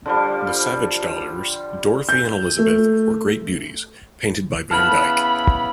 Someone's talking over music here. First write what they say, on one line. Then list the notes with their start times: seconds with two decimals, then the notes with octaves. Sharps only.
The Savage daughters, Dorothy and Elizabeth, were great beauties, painted by Van Dyck.
0.06 D3 F3 G3
2.09 G6
2.59 A3
4.71 C#3 B3 E4 A5 B5 F6 F#6